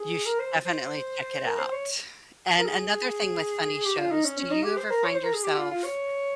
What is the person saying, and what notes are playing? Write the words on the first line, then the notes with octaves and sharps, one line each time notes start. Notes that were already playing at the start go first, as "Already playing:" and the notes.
You should definitely check it out. And another thing with funny shows do you ever find yourself
Already playing: G#4
A#4
C5
C5
A#4
C5
C#5
A#4
G#4
G4
F4
D#4
C#4
C#4
D#4
G4
C5
A#4
C#5
C5
A#4
G#4
G4
F4
F4
C#5